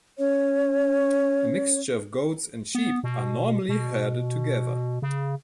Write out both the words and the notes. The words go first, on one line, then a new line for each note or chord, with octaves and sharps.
A mixture of goats and sheep are normally herded together.
C#4 C#5
B3
B2
B2
C#3